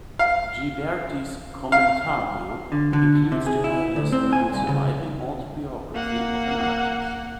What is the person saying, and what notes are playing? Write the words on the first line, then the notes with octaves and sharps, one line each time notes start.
Ghiberti's "Commentario" includes the earliest known surviving autobiography of an artist.
F5
F5
D3
D3
C3
G#4
E4
D2
C4
G#5
C2
C#3
A#3 F#5